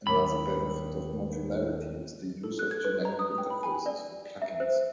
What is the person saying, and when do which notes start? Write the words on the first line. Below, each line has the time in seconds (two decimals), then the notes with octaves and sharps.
Another benefit of modularity is the use of generic interfaces for plug-ins.
0.07 D#2 A#4 B5
2.44 A4
2.59 F#6
2.71 G#6
2.85 B4
3.05 A#5
3.19 D#6
3.38 G5
3.50 B5
3.63 G#5
3.86 D5
4.42 E5
4.60 C5